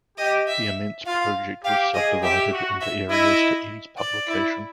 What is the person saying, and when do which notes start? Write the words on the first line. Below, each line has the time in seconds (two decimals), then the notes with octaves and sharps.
The immense project was sub-divided into areas to ease publication.
0.18 G4 D#5
0.48 E5
1.06 F4 F5
1.64 G4 F5
1.94 G#4 D#5
2.22 G4 E5
2.53 F#4
2.81 E5
3.10 E4 D#5
3.98 D5
4.28 E4